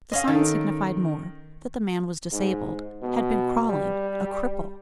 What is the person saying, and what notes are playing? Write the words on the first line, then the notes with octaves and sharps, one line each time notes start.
The sign signified more--that the man was disabled--had been crawling--a cripple!
C#4 D#5 F5 C6
D#3 A4 A5
G#2
B2
G3